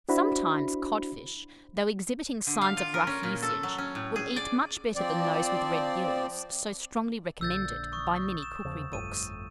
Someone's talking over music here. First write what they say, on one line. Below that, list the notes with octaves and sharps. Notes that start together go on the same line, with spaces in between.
Sometimes, codfish, though exhibiting signs of rough usage, will eat much better than those with red gills, so strongly recommended by many cookery-books.
D4 E4 F#4 C5 B5
D3
F5
F4
A#4
C#4
A#2
A4
F#3
C#4
A2
G#4
D5
F3 C4 D5
A#1 D3 E6 G6 A6
C#6 D#6
E7
E2 C#3 F3
G1 F2 A2 D#7